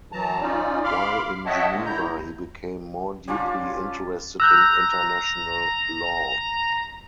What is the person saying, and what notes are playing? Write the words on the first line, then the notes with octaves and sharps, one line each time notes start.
While in Geneva he became more deeply interested in international law.
F#2 E3 F#3 A5 A#5
C#4 D#4 F4 D5
F5 B5 C6 D6 F6
C#5 D#5 E5 F#5 G5 A5
D3 G#3 A#3
A2 E4 A#5 G6
G3 C#4 D4 F4
A#5 E6 F#6 G6